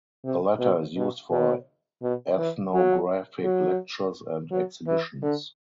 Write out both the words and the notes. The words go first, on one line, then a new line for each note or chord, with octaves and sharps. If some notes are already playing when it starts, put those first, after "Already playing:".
The latter is used for ethnographic lectures and exhibitions.
C3
B2
B2
B2
B2
E3
F#3
F#3
F#3
E3
D3